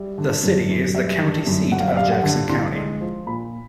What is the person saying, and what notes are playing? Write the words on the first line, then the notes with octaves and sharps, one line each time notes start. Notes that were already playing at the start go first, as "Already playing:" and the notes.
The city is the county seat of Jackson County.
Already playing: G3 E5
D3
F#2
F#2
G3 E5
D3
F#2
F#2 F#5
F5
E5
G3 F5
F#5
D3
C2 C6
G#3
F3
A#2 B5